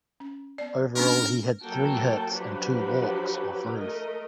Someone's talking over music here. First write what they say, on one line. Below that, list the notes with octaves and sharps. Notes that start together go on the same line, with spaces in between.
Overall, he had three hits and two walks off Ruth.
C#4
B3 D5
A#3 C#4 D4 A#4
F#3 A#3 F#4 A4 G5 A5
F3 F#3 D4 F#4 G4 B4
A3 A#4 D#5